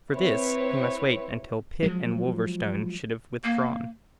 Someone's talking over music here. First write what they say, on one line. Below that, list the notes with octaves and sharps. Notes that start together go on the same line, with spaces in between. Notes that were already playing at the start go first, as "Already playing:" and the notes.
For this he must wait until Pitt and Wolverstone should have withdrawn.
C4 E4 B4 C#5
F3 F#3 G#3
A#3